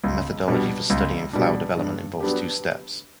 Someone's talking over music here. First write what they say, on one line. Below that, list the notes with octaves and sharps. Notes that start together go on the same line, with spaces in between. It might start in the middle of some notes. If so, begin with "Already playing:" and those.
The methodology for studying flower development involves two steps.
C#2
B2 G3 D4
C#2
B2 G3 D4
G2
F#3 B3 D4 G4